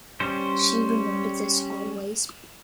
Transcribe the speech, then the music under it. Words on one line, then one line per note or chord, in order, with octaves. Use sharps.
She remembered this always.
G3 C#4 C5